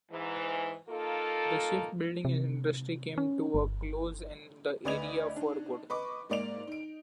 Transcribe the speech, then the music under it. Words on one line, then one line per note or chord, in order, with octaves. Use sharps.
The shipbuilding industry came to a close in the area for good.
G#2 E3
A#3 D#4 F4 A4
C3
C#4
G1
D2 B4 D5 D#5 G#6 F7
D4 D#4
B4 D#5 C#6 D6
G#2 A#3 D5 D7 F7
D#4 D7